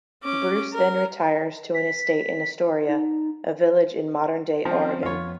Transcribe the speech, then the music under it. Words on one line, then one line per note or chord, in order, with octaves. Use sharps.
Bruce then retires to an estate in Astoria, a village in modern-day Oregon.
C#4 D6
A#4
B6
D#4
F3 C4 C#4
F2 B3 F4 C#5